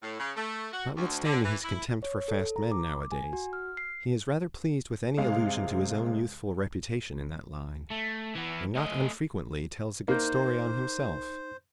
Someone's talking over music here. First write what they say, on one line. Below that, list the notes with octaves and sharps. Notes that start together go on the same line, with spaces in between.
Notwithstanding his contempt for fast men nowadays, he is rather pleased with any allusion to his own youthful reputation in that line, and not unfrequently tells a good story on himself.
A2
C#3
A3
F#4
D2
D3
E3
E4
C#5
A4
A#5
D6
G#5
F#4
F6
C7
C3 G#3 F5
A3
E3 B3
A3 D#5
A#3 D#4 C5 G6